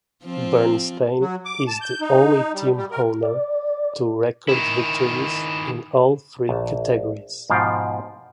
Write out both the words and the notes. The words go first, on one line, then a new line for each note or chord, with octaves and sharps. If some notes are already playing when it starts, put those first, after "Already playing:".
Bernstein is the only team owner to record victories in all three categories.
F3 C4 F4
F#3
D6
A5
G6
D#4
G3
G3
A#4
D5
D#3 E4
A#1 A5
G#2 B2 F3 F5 G5